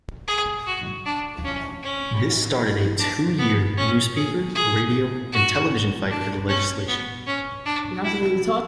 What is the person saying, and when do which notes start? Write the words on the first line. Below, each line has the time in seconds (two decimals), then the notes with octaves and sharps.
This started a two-year newspaper, radio, and television fight for the legislation.
0.28 G#4
0.67 F#4
1.06 D4
1.44 C#4
1.83 C#4
2.99 D4
3.39 B3
3.77 C#4
4.16 G#4
4.55 G#4
5.32 F#4
6.10 D4
6.49 C#4
6.88 B3
7.27 C#4
7.65 D4
8.04 E4